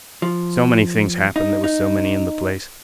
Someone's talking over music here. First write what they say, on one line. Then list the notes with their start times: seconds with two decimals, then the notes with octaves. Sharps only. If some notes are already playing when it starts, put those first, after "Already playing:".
So many things happened--there were so many in the place.
0.22 F3
1.36 D#4
1.64 D#4